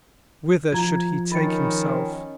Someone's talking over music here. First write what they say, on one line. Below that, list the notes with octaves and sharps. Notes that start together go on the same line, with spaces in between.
Whither should he take himself?
F3 F4 A#5 G#6
D#3 C#4 B5 A6 C#7